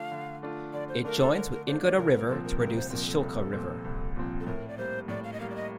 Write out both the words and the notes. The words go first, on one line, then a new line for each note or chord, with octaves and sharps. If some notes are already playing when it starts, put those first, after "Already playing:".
It joins with Ingoda River to produce the Shilka River.
Already playing: D3 A3 D4 F4 F5
D3
A3 D4 F4
D3 D5
C5
A3 D4 F4 A#4
A4
D3 A#4
A#4
A3 D4 F4 C5
D5
C2 A#4
A#4
A#2 F3 C4 A4
A#4
C2 A#4
C5
A#2 F3 C4 A#4
A4
C2 A4
A#2 F3 C4
C2
A#2 F3 C4
A4
A2 A#4
D5
G3 A#3 C5
A2 D5
F5
D#5
G3 A#3 F5
D5
D#5